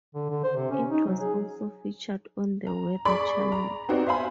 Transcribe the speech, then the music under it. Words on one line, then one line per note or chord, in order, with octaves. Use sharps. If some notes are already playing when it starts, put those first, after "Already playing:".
It was also featured on the Weather Channel.
D3
D3
C5
C3
C#4
D#4
F#3
G#4
A#5
G#4 D5 B5 C#6
A#5
B3 C4 D#4 F#4 G4 D5
C5 E5 F5 G#5 B5